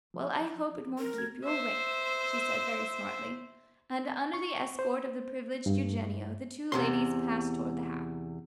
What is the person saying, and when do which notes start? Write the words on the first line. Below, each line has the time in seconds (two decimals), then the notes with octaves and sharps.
"Well, I hope it won't keep you awake!" she said very smartly; and, under the escort of the privileged Eugenio, the two ladies passed toward the house.
0.14 F3
0.98 A#4
1.14 A3 G#6
1.45 C5 E5
4.34 C#6
4.79 C5
5.66 G2
6.72 E2 C3 C6